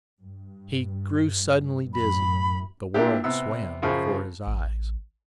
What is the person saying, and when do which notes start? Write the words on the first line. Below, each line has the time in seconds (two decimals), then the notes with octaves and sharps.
He grew suddenly dizzy; the world swam before his eyes.
0.19 G2
1.93 F#2 A2 B5
2.94 A#2 A#3 D4 E4 G4
3.24 C3 B3 E6
3.82 F#2 C#3 F3
4.47 A1